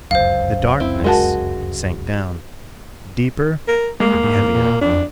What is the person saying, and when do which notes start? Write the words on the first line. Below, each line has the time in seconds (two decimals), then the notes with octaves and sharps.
The darkness sank down, deeper and heavier.
0.11 F1 C#2 F#2 C5 F5
0.80 C4 E4
1.04 G#3 F#4 A#4 F#5 A5
3.68 A#4
4.00 G#3 A#3
4.23 G#2
4.54 A#2
4.81 F2 D4